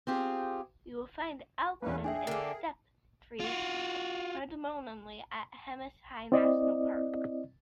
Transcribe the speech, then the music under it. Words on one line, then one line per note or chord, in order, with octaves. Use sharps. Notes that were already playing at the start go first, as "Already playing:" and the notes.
You will find alpine and steppe trees predominantly at Hemis High National Park.
C4 F4 G4 G#4
E2 G3 A#3 C#4 B4
D4 G#4 E5 G5 G#5
D3 A#3 A#4
F4 F#4
C4 E4 D5 D#5